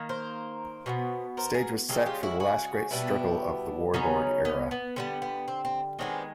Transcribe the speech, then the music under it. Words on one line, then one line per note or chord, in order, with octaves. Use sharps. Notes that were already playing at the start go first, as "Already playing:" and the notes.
The stage was set for the last great struggle of the Warlord Era.
Already playing: D#3 A#3
A#4 C5
B2 G#3 B3
A#4 C5
G#4 A#4
C#3 F3 G#3 G4 A4
F4 G4
E4 F#4
F#4 G#4
B2 G3 B3 D4 E4
C#3 F#3 B3 C#4 D#4
B3 C#4
B3
D3 G3 B3 C4
B3
C4
C4
D#3 G#3 B3 C4 D4